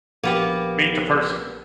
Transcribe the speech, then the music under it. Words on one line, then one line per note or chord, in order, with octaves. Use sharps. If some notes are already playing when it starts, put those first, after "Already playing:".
meet the person.
A#1 A#3 B3 G4